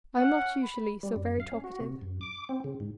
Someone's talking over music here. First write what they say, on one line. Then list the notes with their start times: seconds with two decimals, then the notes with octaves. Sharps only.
I am not usually so very talkative.
0.18 C#4 F#5
0.63 B5
1.03 G3
1.16 F#2
1.40 F5
1.52 C#4
1.64 F#4
1.80 C3
2.01 F#2
2.21 D6
2.49 C4
2.64 C#3
2.80 G#2